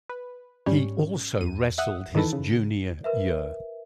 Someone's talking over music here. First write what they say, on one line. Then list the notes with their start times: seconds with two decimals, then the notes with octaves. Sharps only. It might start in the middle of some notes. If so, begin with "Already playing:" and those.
He also wrestled his junior year.
0.09 B4
0.66 G#2 G3 C#4 C#5
1.41 E2 D#7
1.78 E5 F#5 D#6
2.15 D#3 E3 A4 B4
2.33 C#3
3.04 A#4 B4 E5